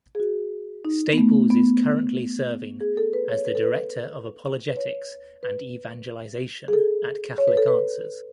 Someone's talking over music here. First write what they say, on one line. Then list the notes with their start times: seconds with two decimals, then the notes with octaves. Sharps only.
Staples is currently serving as the Director of Apologetics and Evangelization at Catholic Answers.
0.15 G#4
0.20 F#4
0.85 D#4
1.13 B3
1.18 A3
1.50 B3
2.81 G#4
2.97 A4
3.13 B4
3.29 C#5
3.46 B4
3.55 A4
3.63 B4
4.68 B4
4.76 C#5
5.43 B4
6.68 G#4
6.73 A4
7.38 C#5
7.48 B4
7.57 A4
7.68 B4